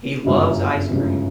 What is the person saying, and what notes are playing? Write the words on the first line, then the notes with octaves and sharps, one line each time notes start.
He loves ice cream.
G1 F#2 C#3
G1 F#2 C#3